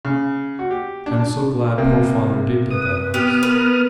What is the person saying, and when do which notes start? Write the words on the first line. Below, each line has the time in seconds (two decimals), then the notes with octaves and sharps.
I am so glad poor father did get that house.
0.05 C#3
0.59 F#4
0.71 G4
1.06 D4
1.20 D4
1.78 C3 A#3
2.71 B4 D#6
3.14 B3 G4 D#6 F6
3.43 A#4 B4